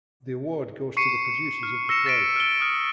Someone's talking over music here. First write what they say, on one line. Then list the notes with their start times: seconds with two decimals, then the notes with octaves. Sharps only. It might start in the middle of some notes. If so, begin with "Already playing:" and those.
The award goes to the producers of the play.
0.97 C#6 C7 C#7 D#7
1.63 F6
1.89 E6 A#6 C#7 E7
2.06 A6 B6 D7
2.36 F6 G7
2.60 D#6 F6